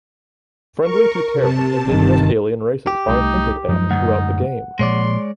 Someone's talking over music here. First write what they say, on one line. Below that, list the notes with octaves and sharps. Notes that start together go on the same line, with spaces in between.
Friendly to Terran indigenous alien races are hinted at throughout the game.
A#4 C#6
C3 A5
G1 G2 D#3
G4
C2 A3 D#4 D6
F#2 F3 F#3 G#3 D#4
D2 G#2 F#5
A#2 F3 G#3 C#5 D5 C6